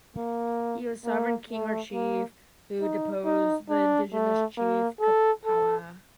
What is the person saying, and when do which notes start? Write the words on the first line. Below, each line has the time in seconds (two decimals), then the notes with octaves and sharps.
He was sovereign king or chief, who deposed the indigenous chief, Kapawa.
0.17 A#3
1.05 A#3
1.50 A3
1.93 A#3
2.81 D#4
3.25 D#4
3.70 D4
4.14 A3
4.57 A#3
5.01 A4
5.45 A4